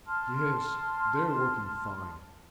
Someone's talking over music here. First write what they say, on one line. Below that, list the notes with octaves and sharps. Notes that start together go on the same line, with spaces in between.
Yes, they're working fine.
A5 C6 F6